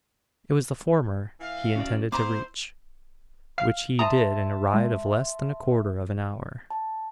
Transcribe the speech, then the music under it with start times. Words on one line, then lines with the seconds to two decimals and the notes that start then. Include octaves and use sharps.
It was the former he intended to reach--which he did in a ride of less than a quarter of an hour.
1.40 E3 F5
1.76 C#4 F#4 D5
2.12 B3 E4 C5 A#5 C6 D6
3.58 F5 F6 C7
3.99 E5 A5 A#5 C6 D#6
4.74 G#3
6.70 A5